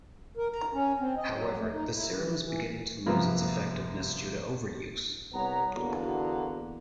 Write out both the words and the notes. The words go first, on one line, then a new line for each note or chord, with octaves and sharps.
However, the serum is beginning to lose its effectiveness due to overuse.
A#4
A#5
C#4
C4
D#5
F#3
A3
D#4
E4
E3
E3
F#2 C3 F3 A#3 B3
C2 B3 C#5 A#5
E2 D3 A#3 B3 F#4